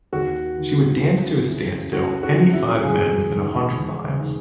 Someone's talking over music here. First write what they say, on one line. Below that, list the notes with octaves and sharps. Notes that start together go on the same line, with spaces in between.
She would dance to a standstill any five men within a hundred miles.
D#2 F#4
D#3
C#2
C#3 E3
C#2 F#4
F#4
C#3 E3
E4
E1 G#4
D#2 D#3
E1
D#3